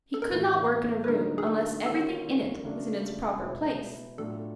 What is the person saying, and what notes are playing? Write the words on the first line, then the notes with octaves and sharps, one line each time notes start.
He could not work in a room unless everything in it was in its proper place.
A4
A#4
A2 E3 A3 B4
B4
D3 F#3 A#3 D#4 A#4
G#4
A4
D#3 G3 A#3 C#4 F4 A4
C#3 F#3 A3 D4
B2 G#3 B3 E4
A2 F#3 A3 D4 F4 A4